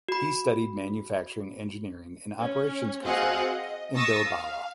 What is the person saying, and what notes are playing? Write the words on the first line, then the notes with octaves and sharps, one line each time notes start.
He studied manufacturing engineering and operations control in Bilbao.
F#4 B5
C#4
C4 F#4 G#4 D#5 F5 F#5
D#5
C#6 D#6 E6 A6 A#6
F5